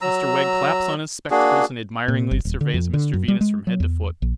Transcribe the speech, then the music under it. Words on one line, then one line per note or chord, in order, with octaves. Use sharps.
Mr Wegg claps on his spectacles, and admiringly surveys Mr Venus from head to foot.
F#3 A#5 E6
A#3 D4 F#4 G#4
A#2
G1
D#1
D3
F2
D3
F#2
G3
G#3
F#3
E2
A#1